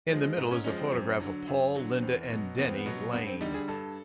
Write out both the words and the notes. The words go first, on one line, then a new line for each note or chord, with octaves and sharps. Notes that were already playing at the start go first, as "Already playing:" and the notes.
In the middle is a photograph of Paul, Linda, and Denny Laine.
F3 G#3
G#2
C#4
F3 G#3 C#4
C4
F#2
D3 F#3
F#2
D3 F#3
E2 C4
B2 F#3
E2 B3
C4
B3
B2 F#3
G2 B3
C4
D3 G3 D#4
G#4
G2 A4